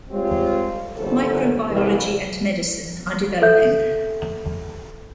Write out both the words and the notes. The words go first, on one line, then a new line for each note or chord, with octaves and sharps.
Microbiology and medicine are developing.
G3 G#3 C4 F4 C#5
G1 A#2 E3 F#3 A4 C5
C2 E3
A4 E5 G6